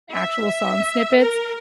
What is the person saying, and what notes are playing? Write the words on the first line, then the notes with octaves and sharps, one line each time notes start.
actual song snippets,
E5
A#4